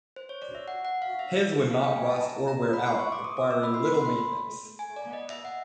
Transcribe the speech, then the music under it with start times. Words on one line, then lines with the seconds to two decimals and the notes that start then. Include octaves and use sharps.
His would not rust or wear out, requiring little maintenance.
0.16 C5
0.29 C#5
0.42 D5
0.55 E5
0.68 F#5
0.85 F#5
1.02 F5
1.19 E5
1.70 F5
1.84 G5
1.96 G#5
2.09 A5
2.22 A#5
2.48 A#5
2.73 B5
2.86 C6
2.99 C#6
3.12 D6
3.24 D#6
3.37 D6
3.51 E6
3.63 B5
3.74 C6
3.85 B5
3.94 C6
4.05 B5
4.79 G#5
4.96 D5
5.13 D#5
5.30 E5
5.45 F#5